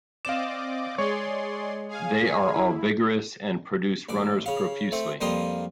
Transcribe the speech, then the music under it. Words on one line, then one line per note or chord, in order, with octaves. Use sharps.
They are all vigorous, and produce runners profusely.
C4 D5 D#5 F5 D6 E7
G#3 G#4 C#5 D5 C6 C#6
G#4 F5 G#5
E4
A1 D5
C#3 F5
A3 C4 E5
F2 G3 A#3 F4 C6 D#6